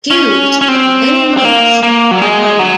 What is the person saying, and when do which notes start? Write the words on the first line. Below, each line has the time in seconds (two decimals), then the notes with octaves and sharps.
Queues of many months are common.
0.11 C#4
0.61 C#4
0.68 C4
1.37 C4
1.45 A#3
1.83 A#3
2.11 F#3
2.22 G#3
2.59 F#3